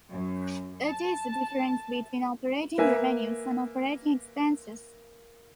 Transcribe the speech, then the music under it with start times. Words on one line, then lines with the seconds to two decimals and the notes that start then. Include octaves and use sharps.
It is the difference between operating revenues and operating expenses.
0.11 F#2
0.88 A5
2.78 A#3 B4 E5 G#5